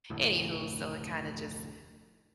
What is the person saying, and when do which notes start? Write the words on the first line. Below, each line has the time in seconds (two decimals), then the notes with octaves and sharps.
anywho, so, it kinda just
0.10 F1 D2 A2